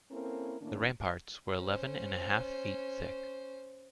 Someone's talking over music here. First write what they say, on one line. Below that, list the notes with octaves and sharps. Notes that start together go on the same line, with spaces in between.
The ramparts were eleven and a half feet thick.
A#3 C4 C#4 E4 A4 A#4
A2 D#3 A3 A#3 C#4 D4
C#4 C5